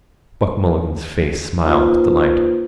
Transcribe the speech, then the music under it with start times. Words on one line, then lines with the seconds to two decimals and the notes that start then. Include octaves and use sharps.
Buck Mulligan's face smiled with delight.
1.64 A#3 D#4 F4 B4 C5